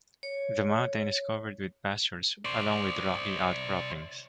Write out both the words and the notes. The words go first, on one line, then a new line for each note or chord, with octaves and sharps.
The mountain is covered with pastures along with rocky outcroppings.
C#5
C5 D5